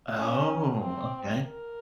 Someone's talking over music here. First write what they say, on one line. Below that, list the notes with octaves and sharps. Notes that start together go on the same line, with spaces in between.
Oh, okay.
C#4
C4
A#4